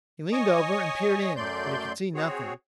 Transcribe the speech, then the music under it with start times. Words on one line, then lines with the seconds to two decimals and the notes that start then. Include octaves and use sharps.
He leaned over and peered in, but he could see nothing.
0.33 C#5 D#5 G#5 C#6 D#6
1.36 F#2 F#3 A3 D5 C6 G6
2.14 C4 F#4 G#4 C#5